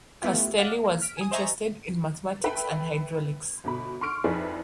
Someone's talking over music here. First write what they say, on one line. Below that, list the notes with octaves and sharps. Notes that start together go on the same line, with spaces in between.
Castelli was interested in mathematics and hydraulics.
A3 B3 E4 F4 G4
D5 D#5 F5 F#5 D6
A#3
F6 B6 D7
G#5 D#6
C5 D#5 E5 G#5 A#5 C#6
A4 B4 E5 G5 B5
G1 B2 B5
C6 C#6 F6 D7
F2 D#4 E4 G#4 B4 D5